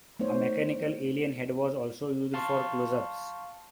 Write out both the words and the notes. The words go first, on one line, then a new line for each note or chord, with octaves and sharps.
A mechanical alien head was also used for close-ups.
A3 B3 D#4 C5 C#5
F5 A5 C6 C#6